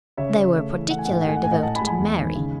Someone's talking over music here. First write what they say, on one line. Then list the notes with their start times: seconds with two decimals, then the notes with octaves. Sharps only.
They were particularly devoted to Mary.
0.17 C#3 C#5 E5
0.36 C#3
0.54 A3
0.72 E3
0.90 A3 F#5
0.98 G#5
1.05 F#5
1.08 G#2 G#5
1.21 F#5
1.27 A3 G#5
1.37 F#5
1.44 A2 G#5
1.51 D#5 F#5
1.63 A2 F#5 A5
1.75 G#5 B5
1.81 G#3
1.87 G#5 B5
1.99 E2
2.17 D#3
2.36 C#3